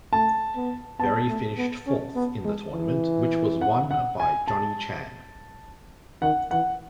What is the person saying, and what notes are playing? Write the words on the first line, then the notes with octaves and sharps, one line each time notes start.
Berry finished fourth in the tournament, which was won by Johnny Chan.
A3 A5
B3
B3 A5
A3
B3
C#4
B3
G#3
E3
F#5
F#5
G#5
A5
D#3 F#5
E3 F#5